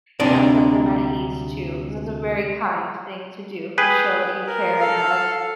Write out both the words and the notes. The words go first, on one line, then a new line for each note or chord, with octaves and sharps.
you know, set them at ease, too, 'cause it's a very kind thing to do to show that you care and that, like,
D2 C3 G3 D4 D#4 D5
G#4 B4 G5
A#4
A4 F5